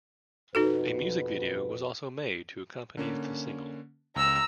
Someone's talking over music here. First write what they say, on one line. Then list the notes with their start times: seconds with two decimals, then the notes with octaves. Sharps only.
A music video was also made to accompany the single.
0.55 F2 B2 D#4 F#4 A4 B4
2.97 D3 A#3 C#4
4.16 C#2 A#5 E6